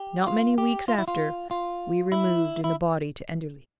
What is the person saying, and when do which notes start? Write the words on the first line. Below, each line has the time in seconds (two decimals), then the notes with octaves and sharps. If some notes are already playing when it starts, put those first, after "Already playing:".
Not many weeks after, we removed in a body to Enderley.
Already playing: G4
0.27 F4
0.58 G4
0.88 F4
0.98 E4
1.08 F4
1.51 F4
2.12 E4
2.64 E4